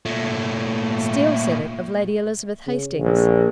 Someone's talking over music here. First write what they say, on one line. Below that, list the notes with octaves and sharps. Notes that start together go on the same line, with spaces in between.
'Steele said it of Lady Elizabeth Hastings.'
A#2 A3
C#3
A#1